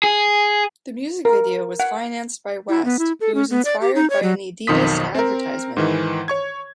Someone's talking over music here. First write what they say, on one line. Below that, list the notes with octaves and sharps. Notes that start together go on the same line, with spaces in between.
The music video was financed by West, who was inspired by an Adidas advertisement.
G#4
A#4
F#5
E4
B3
E4
A4
C#4
B3
D5
G4
D#4
C#5
F#3
B1 F2 D#3 C6 D#6 B6
C4 A#4
G#2 D#3 E3
C#5 C#6 G#6